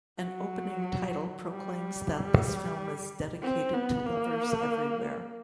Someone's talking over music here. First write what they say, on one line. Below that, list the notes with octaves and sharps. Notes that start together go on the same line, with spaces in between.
An opening title proclaims that this film is dedicated to lovers everywhere.
F#3
G3
C4
B3
A#3